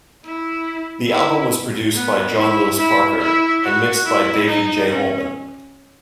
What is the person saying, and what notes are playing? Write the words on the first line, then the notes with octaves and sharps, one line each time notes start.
The album was produced by John Lewis Parker, and mixed by David J. Holman.
E4
E4
B3
E4
E4
E4
F#4
E4
D#4
C#4